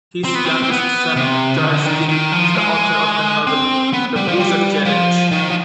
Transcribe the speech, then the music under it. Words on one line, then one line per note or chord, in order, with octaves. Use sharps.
His youngest son, Charles Gill, is the author of the novel The Boozer Challenge.
C4
B3
C4
C4
B3
C3
D#3
D3
D#3
D#3
F3
G#3
C4
B3
G3
F3
G3
F3
D#3
F3